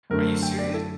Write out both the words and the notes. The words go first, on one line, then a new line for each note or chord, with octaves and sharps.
Are you serious?"
F#2 D3 A3 C4 A#4
G5
D5
A4